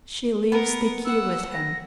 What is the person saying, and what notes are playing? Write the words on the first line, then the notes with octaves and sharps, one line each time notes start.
She leaves the key with him.
B3 A#4
F#5 E6
A#6